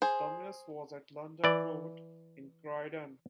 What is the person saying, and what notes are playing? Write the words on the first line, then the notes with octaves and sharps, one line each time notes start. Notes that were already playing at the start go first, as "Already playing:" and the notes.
The terminus was at London Road in Croydon.
G#4 C5
E3 D5